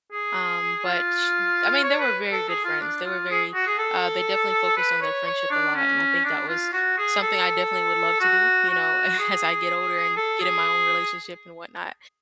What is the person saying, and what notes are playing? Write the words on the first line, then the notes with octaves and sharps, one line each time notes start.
um, but sh I mean, they were very good friends. They were very uh, they definitely focused on their friendship a lot, and I think that was something I definitely would love to do, you know, as I get older, and get in my own relationship and whatnot,
G#4
F4
C#5
B4
A4
G#4
F4
D4
F4
G#4
F#4
G#4
A4
B4
C#5
C#5
D4
C#4
D4
F4
F#4
G#4
A4
F#4
F#4
G#4
A4
G#4